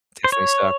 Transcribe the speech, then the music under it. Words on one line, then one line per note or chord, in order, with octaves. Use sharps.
Definitely suck.
C5
C#5